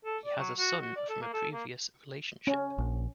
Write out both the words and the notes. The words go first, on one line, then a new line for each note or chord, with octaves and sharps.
He has a son from a previous relationship.
A4
D5
F#3
F#4
F#4
D5
A4
A#3
A4
A#3
C#4
A#1